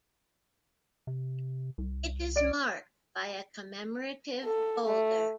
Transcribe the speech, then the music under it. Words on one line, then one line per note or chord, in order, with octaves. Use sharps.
It is marked by a commemorative boulder.
C3
C2
D5 D7
A4
A3